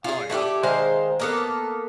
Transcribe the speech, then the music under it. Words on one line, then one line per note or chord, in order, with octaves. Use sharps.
Oh, yeah.
F4 G#4
A3 E4 F#4 G4
D#3 G#3 C5 F5
A#3 B3 A4